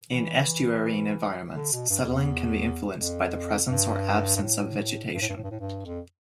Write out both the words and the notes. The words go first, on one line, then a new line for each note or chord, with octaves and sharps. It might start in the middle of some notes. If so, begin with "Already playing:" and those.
In estuarine environments, settling can be influenced by the presence or absence of vegetation.
E3
D3
B2
G2
F2
E2
F2
G2
G2
A2
G2
A2
G2
A2
G2
A2
G2
F2